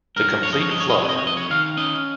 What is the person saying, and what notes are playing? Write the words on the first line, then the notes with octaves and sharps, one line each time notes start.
The complete Flood!
G2 A#4
F3 C#5
D#5
C#5
G2 D#5
C#5
D#5
C3 C#5
D#5
C#5
F2 D#5
C#5
D#3 F5
C#4 D#5